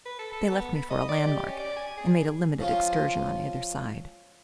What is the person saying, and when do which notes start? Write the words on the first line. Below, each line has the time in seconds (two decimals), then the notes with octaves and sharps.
They left me for a landmark and made a limited excursion on either side.
0.06 B4
0.19 A4
0.33 A4
0.51 B3
0.75 B5
0.90 D#5
1.09 D5
1.27 G4
1.46 C#4
1.59 D5
1.77 G#5
1.97 G#4
2.60 F3 C#4 F4